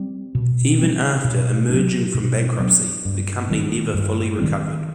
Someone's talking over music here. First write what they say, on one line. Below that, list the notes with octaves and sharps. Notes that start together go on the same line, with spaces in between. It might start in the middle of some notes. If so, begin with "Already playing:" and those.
Even after emerging from bankruptcy, the company never fully recovered.
Already playing: G3 C4
B2
G3 C4
B2
F#3 B3 D4
B2
F#3 B3 D4
G2
D#3 G3 C4
G2
D#3 G3 C4